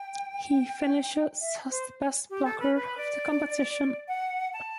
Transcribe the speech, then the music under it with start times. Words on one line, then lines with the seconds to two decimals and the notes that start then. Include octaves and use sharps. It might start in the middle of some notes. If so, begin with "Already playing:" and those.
He finishes as the best blocker of the competition.
Already playing: G5
1.41 E5
1.70 C5
2.30 G4
2.45 A4
2.60 B4
2.75 B4
2.97 D5
4.08 F#5
4.53 A5